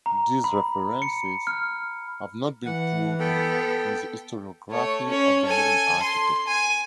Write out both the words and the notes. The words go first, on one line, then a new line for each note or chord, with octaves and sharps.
These references have not been proven in the historiography of the modern architect.
A#5
B5
C#7
F6
E3 F#5
B3 A4 G5
A3 C#5
C#4 C#5
A4 G#5
C6
G#5